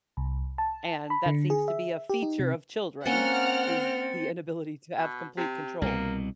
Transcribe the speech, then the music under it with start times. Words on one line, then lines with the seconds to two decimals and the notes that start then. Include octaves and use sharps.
and that seems to be a feature of children, is the inability to have complete control.
0.17 C2
0.58 A5
1.10 B5
1.26 D3
1.50 G#4
1.68 E5
2.10 G4
2.23 D#4
2.39 C3
3.06 A#3 C4 C#4 F#5 F6 A6 C#7 G7
4.98 B2
5.37 C3
5.82 C2 B2 A#3